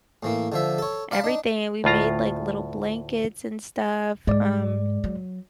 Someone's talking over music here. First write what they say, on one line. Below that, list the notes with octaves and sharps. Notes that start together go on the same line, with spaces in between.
everything, we made, like, little blankets and stuff, um
A2 E3 A#3
D3 F3 E5
A4 C#5
D5 F5 A5 B5
D4 D#4
D2 A2 F4 A#5
G#2 G#3 D5
F#3